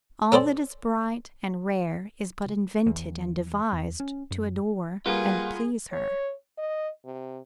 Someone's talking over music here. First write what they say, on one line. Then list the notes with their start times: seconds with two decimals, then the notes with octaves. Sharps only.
All that is bright and rare is but invented and devised to adorn and please her.
0.32 C#4 A4 C5 D5
2.86 E2
3.73 E2
4.00 C#4
4.31 F#2
5.06 G3 A#3 F4 G#4 A#4 B4 F#5
5.92 C#5
6.58 D#5
7.05 C3